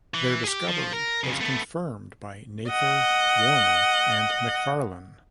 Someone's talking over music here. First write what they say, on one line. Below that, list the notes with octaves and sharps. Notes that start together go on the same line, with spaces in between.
Their discovery was confirmed by Nather, Warner, and Macfarlane.
E3
G4 G#4
F3
A#4
F2 C#3
A3 B3
D#5 F#5